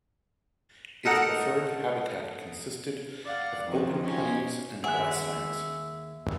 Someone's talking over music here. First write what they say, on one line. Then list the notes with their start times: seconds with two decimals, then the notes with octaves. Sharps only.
Its preferred habitat consisted of open plains and grasslands.
1.05 D#4 A4 A#4 D#5 F#5 A#5
3.25 D5 F5 F#5
3.65 F2 D#3 C4 C#4
4.04 C#4 D#4 F4 G4 G#5
4.84 D#2 G#4 E5 F#5 G#5 F#6